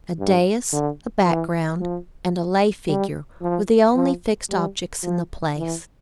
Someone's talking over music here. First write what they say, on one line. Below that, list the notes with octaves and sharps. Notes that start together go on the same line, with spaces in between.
A dais, a background, and a lay-figure were the only fixed objects in the place.
G2
D3
E3
F3
G3
F3
F3
G3
F3
E3